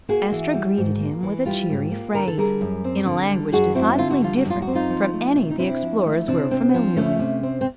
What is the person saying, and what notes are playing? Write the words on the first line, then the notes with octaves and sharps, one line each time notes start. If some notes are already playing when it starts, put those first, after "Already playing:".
Estra greeted him with a cheery phrase, in a language decidedly different from any the explorers were familiar with.
A#3 F#4 G#4
E3
G3
G#2
A#3
E3
G3 F4 G4
G#2
A#3
D3 A#4
A4
G3 G#4 A#4
F#2
C4
D3
G3
F#2 F#4 G#4
C4 E4 F#4
D3 F4
F#4
G3 F4
F#4
F#2
F4
F#4
C4
D#4 F4
F3
A3
C3
D#4
C4 D4 E4
F3
A3
C3 C4 D4
C4
F3
A3 C#4
C3
C4
C4